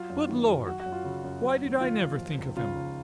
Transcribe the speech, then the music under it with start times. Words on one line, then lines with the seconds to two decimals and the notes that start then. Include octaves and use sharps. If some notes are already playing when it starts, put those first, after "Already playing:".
Good Lord!--why did I never think of him?
Already playing: F#3 F4
0.10 F#2
0.29 D#3
0.48 F#2
0.67 F#3 F#4
0.80 F#4
0.86 F#2
0.92 F4
1.05 C#3
1.24 F#2
1.43 F#3
1.62 D#2
1.80 D#3 F4
1.99 D#2
2.19 F3
2.38 C#2
2.56 C#3 F4
2.75 C#2